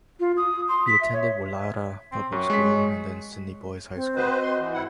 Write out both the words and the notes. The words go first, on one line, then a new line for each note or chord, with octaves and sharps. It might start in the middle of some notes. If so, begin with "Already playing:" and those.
He attended Woollahra Public School, and then Sydney Boys High School.
F4
D#6
C6
B6
E5
C#5
C4
F#2 C#5
G#3 B6
C4
F#4 B4 C5 D#5
C6
E3
G#2 E4 F#5